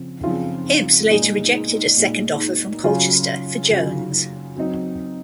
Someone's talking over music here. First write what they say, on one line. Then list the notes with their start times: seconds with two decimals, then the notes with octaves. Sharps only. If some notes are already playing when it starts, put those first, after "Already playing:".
Hibs later rejected a second offer from Colchester for Jones.
Already playing: C#3 F3 C4
0.24 C#3 F3 C4 F4
1.10 A#2 G#3 D#4
1.97 A#2 G#3 D#4
2.83 C#3 F#3 C#4 F4
3.71 C#3 F#3 C#4 F4
4.56 F#3 C4 D#4